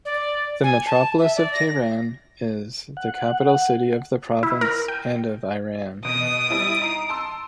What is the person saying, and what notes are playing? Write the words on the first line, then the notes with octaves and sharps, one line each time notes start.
The metropolis of Tehran is the capital city of the province and of Iran.
D5
G#5
A5
E5
D5
A#6
F#5
E4
A#4
G5
B2 D#5 D#6 D7
G3 E4
D#4 A#5 C7
A5 C6 E6